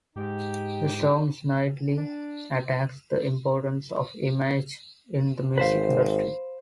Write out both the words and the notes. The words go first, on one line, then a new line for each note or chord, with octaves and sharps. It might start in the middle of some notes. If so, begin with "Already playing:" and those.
The song snidely attacks the importance of image in the music industry.
G#2 D#4 G4
D4
G#1 B4 C5 F5